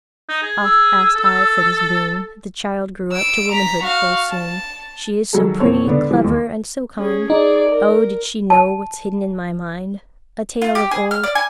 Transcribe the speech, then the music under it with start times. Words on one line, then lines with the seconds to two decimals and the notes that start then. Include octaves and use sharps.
Oft asked I for this boon. The child grew up to womanhood full soon. She is so pretty, clever, and so kind Oh, did she know what's hidden in my mind-- A tale of old.
0.29 D#4
0.43 G#4
0.64 E6
1.15 A4
3.12 E6 D7
3.51 A#5 B6
3.83 F#4 F5
4.29 A5
5.33 D#3 F#3 G3 G#4 A4
5.59 E2 A#2 C4 C#5 A5
5.87 D3 B3 D4
6.11 E3 F3 G3
6.24 D#2
6.98 C#4 G#4
7.30 D#4 G#4 D5
7.70 A#4
8.50 A5
10.62 F4
10.75 G4
10.91 G#4
11.11 F6
11.24 D5
11.35 G#5